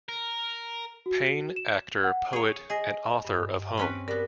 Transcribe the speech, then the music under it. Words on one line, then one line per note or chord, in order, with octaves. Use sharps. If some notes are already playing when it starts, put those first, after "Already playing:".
Payne, actor, poet, and author of Home!
A#4
F#4
E7
F#5
G#4 C#5
G#4 D#5 G#5 A#6
G2
C4 C#4 B4
G3 B3 A#4